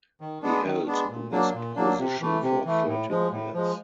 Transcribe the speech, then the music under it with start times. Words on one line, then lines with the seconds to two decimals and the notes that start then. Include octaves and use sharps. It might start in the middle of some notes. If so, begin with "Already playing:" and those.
He held this position for thirteen years.
0.21 D#3
0.42 G#3 B3 D4
0.65 D#3
0.87 G#3 B3 D4
1.09 A#2
1.31 F#3 A#3 D4
1.54 A#2
1.76 F#3 A#3 D4
1.98 C3
2.20 E3 A3
2.43 C3
2.65 E3 A3
2.87 A2
3.10 F3 G#3
3.32 A2
3.54 F3 G#3